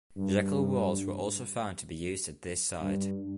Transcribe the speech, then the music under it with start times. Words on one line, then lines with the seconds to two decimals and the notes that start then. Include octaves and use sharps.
Jacal walls were also found to be used at this site.
0.17 G2
2.81 G2